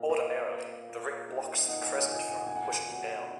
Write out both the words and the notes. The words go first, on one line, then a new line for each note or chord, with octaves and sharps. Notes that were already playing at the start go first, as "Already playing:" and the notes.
Ordinarily, the ring blocks the crescent from pushing down.
Already playing: A#2 A#4
A#3 D#5
A#3
A#2
D#4
D#4 F#5
G#5
F#5
G#5
F#5
A#2 G#5
F#5
G#5
F#5
A#4 G#5
F#5
G#5
F#5
F#3